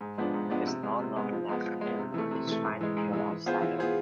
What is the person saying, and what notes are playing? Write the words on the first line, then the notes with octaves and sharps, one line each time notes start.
It is not known that Ilona is trying to kill the Outsiders.
G#2
F3 G#3 B3 D4
G#2
F3 G#3 B3 D4
C3
G#3 B3
C3
G#3 B3
F3
G#3 B3
F3
G#3 B3
C3
E3 A3
C3
E3 A3
G#2
E3 G#3
G#2
E3 G#3
E3
B3 F4 G#4 C5
E3
B3 F4 G#4 C5